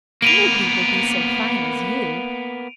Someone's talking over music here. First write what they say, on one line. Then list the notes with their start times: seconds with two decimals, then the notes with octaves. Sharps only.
Nobody will be so fine as you.'
0.22 A#3 B3 D7 D#7 F7